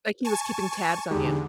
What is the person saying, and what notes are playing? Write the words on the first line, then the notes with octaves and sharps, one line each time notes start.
Like he was keeping tabs on you.
G#5 A5 C#6
E2 D3 G#3 D#4 G4